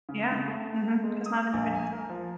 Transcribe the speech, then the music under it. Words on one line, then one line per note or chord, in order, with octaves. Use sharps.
Yeah, mhm, 'cause not everybody has one.
C#3
C#3
A3
G#3
D#6
A#1
G#5
A#4
F3